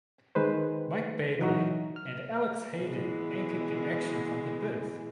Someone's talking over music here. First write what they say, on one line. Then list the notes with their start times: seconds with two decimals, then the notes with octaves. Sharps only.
Mike Bagley and Alex Hayden anchored the action from the booth.
0.35 D#3 G#3 B4 C5
1.39 E3 F#3 D#4 F#4
1.96 F6
2.78 B2 E3 G#3